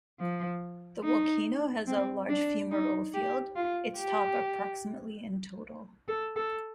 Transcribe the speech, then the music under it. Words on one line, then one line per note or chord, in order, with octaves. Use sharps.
The volcano has a large fumarole field, its top approximately in total.
F3
D#4
C4
D4
D#4
G4
F4
G4
A4
A4